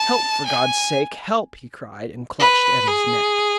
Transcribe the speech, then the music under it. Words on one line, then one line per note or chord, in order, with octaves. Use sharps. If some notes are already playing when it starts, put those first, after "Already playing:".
"Help, for God's sake, help!" he cried, and clutched at his neck.
Already playing: A5
G#5
B4
G#4